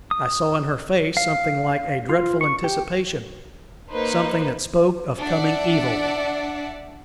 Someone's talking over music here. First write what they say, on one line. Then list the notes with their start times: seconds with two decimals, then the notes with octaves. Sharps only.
I saw in her face something like a dreadful anticipation--something that spoke of coming evil.
0.11 D#6
1.17 F5
2.09 F4
2.41 C#6
2.64 G4
3.89 A#3 D#4 B4 C5
5.20 D4 D5 E5 F#5